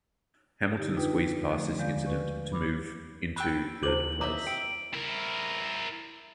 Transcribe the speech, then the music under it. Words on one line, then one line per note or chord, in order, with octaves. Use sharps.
Hamilton squeezed past this incident to move into third place.
D3 D#4 G4
D4 D#4 F4 B4 G5
D3 F3 A3
D#2 D3 G#3 D5 F5 G6
B4 C#6
B5 D6
G5 B5 E6 F#6
D#2 E4 C5 D6 F#7
C4 D#5 E5 A#5 D6
G5 D7
E4 A#4